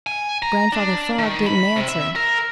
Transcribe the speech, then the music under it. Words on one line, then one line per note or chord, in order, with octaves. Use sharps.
Grandfather Frog didn't answer.
G#5
A#5
D4
D#3
B5
C3
E5
A#4